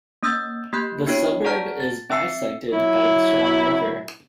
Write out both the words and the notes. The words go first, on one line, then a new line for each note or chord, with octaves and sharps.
The suburb is bisected by the Swan River.
A#3 C#4 D#6 E6 G6 A6
A#3 G4 B5 F#6 G6
B3 D4 E4 F#4 C#5
G#4 D5 F#5 A5 A#5 F6
A6
C4 E5 E6 C7 C#7
F#3 E4